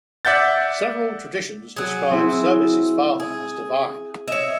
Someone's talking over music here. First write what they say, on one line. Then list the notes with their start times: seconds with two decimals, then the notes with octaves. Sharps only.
Several traditions describe Servius' father as divine.
0.25 D5 E5 F#5 G6 A6
1.76 F#3 G#4
2.11 C4 E4
3.20 G#4
4.28 C#5 D#5 E5